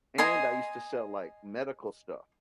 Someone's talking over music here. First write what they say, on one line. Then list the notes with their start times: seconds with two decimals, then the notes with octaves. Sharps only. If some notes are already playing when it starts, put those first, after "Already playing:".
and I used to sell like medical stuff
0.18 D#5 G#5 A#5 C6